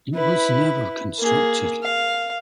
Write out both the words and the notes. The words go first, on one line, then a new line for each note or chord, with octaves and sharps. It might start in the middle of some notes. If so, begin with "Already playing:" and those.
It was never constructed.
E4 B4
A#3 G#4
F5